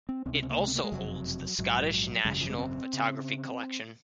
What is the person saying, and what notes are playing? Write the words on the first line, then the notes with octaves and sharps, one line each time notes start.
It also holds the Scottish National Photography Collection.
C4
C#2 C3 C4
C#4
C4
A#3
G#3
C4
A#3
G#3
F#1 F2 C3 F#3
A#1 G#2 F#3
G#1 F#2 C#3 G#3
F#3
F3
G#3
C4
C#3